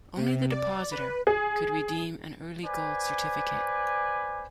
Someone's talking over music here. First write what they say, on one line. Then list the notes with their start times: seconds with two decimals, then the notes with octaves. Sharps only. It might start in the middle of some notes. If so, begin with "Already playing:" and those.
Only the depositor could redeem an early gold certificate.
0.17 C3
0.50 D5
0.91 B4
1.27 G#4
2.64 B4 C5 D5 G#5